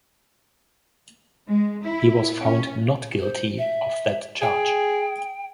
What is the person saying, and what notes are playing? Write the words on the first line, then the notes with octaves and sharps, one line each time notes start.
He was found not guilty of that charge.
G#3
E4
C#4
C5
E5
G#4 G5